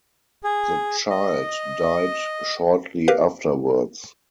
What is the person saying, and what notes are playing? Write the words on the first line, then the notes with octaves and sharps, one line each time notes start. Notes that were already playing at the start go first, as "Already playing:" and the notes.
The child died shortly afterwards.
G#4
D#5
G4 A#4 B4 F5